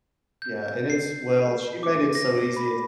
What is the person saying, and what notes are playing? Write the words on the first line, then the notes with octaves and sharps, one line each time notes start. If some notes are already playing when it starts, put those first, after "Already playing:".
Yeah, and it's well, she made it so easy it's
G6
C7
D6
A#6
B5